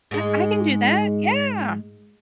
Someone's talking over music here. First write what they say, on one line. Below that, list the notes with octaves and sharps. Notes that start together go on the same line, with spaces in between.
I I can do that, yeah.
G#2 G#3